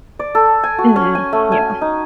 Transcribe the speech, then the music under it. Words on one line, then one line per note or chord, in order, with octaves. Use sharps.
Mhm, yeah.
D5
A4
G#5
F#4
C#4
G#5
A3
G#5
D#4